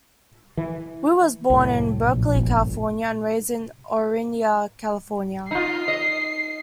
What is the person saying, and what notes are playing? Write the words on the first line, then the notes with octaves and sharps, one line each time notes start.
Wu was born in Berkeley, California, and raised in Orinda, California.
E3
C2 F#2 A2
A#1
G1
D#4 F4 C7
D#5